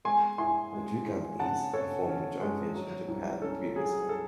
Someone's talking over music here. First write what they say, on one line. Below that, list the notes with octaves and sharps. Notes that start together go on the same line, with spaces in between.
The two companies had formed a joint venture in Japan the previous year.
G#3 G#5 C6
E4 G#5 C6
G#3
E4
C#3 F#5 A5
C#3 A4 C#5
C#4
G#3
F#3
C2
C#4 A4
F#3 G#4
A4